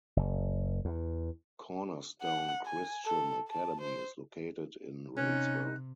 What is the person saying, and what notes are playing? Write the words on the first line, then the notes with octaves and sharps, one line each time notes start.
Cornerstone Christian Academy is located in Rainsville.
F#1
E2
F#5
G#5
A4
A5
C5
C3 C#4 D#4 F#6